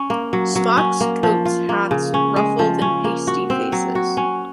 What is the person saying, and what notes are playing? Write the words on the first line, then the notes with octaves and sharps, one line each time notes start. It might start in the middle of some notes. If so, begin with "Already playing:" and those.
Smocks, coats, hats, ruffled and pasty faces.
Already playing: C#4
A#3
F#3
F#3
C#4
A#3
F3
F4
A#3
C#3
C#4
G#3
F3
C#4
A#3
F#4
C4
F#3
F#4
C#4